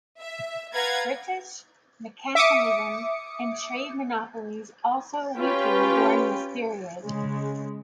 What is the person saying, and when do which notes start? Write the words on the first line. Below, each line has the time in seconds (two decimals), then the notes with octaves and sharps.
British mercantilism and trade monopolies also weakened during this period.
0.21 E5
0.74 B4 F5 F#5 A#5 G#6 A6
2.35 E5 D6 D#6 C#7
5.37 C#4 F4 G4 B4 G5
7.02 C#3 G#3